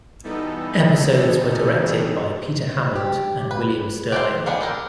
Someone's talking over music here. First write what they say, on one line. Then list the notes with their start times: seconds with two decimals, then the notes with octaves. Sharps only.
Episodes were directed by Peter Hammond and William Sterling.
0.23 B2 E3 G3 B3 D#4 A4
2.96 G4
3.51 B4
4.12 G4 A4 C5
4.46 D#3 G3 B3 D4 G#4
4.61 G4 A4 A#4